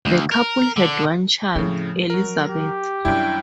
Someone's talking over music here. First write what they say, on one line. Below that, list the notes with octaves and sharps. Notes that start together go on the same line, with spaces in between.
The couple had one child, Elizabeth.
D2
A#4
D3
A2 C#3 F3 C4
F#3 A#4
G4
F#2 D#3 G3 D4 E4 G5